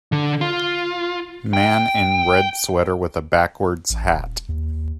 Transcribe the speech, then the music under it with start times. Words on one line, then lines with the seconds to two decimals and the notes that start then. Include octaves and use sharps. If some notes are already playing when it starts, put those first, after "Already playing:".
Man in red sweater with a backwards hat.
0.12 D3
0.41 F4
1.53 G5
3.90 A1
4.11 D#1
4.49 D#2